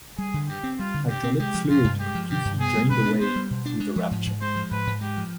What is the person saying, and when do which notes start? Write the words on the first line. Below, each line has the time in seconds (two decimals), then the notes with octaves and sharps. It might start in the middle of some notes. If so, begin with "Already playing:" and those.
Hydraulic fluid completely drained away through the rupture.
0.18 G3 G#4
0.34 D3
0.48 G2 G4
0.64 C4
0.79 G3 F4
0.94 D3
1.09 G2 G4
1.24 C4
1.39 G#3 G4
1.55 F3
1.70 G2 F4
1.84 G2
2.00 G#3 G4
2.15 F3
2.30 G2 G4
2.45 G2
2.60 B3 G#4
2.75 G3
2.90 B2 B4
3.05 D4
3.21 B3 C5
3.36 G3
3.51 B2
3.66 D4
3.80 G#3
3.96 F3
4.11 G#2
4.27 G#2
4.41 G#3 C5
4.56 F3
4.71 G#2 B4
4.87 G#2
5.01 G#3 G4
5.17 F3